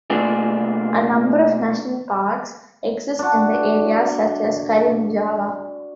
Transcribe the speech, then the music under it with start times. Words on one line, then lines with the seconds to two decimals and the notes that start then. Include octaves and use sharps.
A number of national parks exist in the area such as Karimunjawa.
0.10 B2 A3 A#3 D4 F4 G#4
3.19 D4 F#4